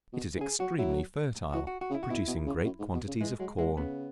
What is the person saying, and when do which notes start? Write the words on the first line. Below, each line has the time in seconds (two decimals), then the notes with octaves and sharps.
It is extremely fertile, producing great quantities of corn.
0.13 B2
0.37 E3
0.41 C#3 G#4
0.60 F#3 F#4
0.78 F#3 E4
1.53 E3 F#4
1.67 F#4
1.81 F#4
1.90 C#3
1.95 E4
2.03 F#4
2.10 B2 E4
2.27 B2
2.46 C#3
2.65 F#2
2.79 G#2
2.94 B2
3.08 C#3
3.21 E3 G#3
3.39 F#3 G#3
3.58 E3 G#3
3.77 C#3 B3